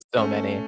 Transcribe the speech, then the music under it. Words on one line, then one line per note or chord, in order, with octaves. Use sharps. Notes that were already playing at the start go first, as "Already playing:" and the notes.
So many.
A3 C#4